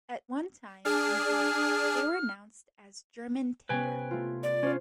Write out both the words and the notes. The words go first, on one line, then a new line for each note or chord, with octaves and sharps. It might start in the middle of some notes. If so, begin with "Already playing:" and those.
At one time, indeed, they were announced as German tinder.
D4 G#4 F6
C3 B3 C#4 B4 G5 G#5
A3 F4
D5
C#4 D4 F4 C5